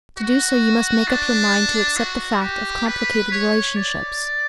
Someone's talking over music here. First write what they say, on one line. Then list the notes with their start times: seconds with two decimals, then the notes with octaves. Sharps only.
To do so you must make up your mind to accept the fact of complicated relationships.
0.18 F#4
1.08 D4
1.97 F#4
2.41 G4
2.86 B4
3.32 C#5
3.76 D5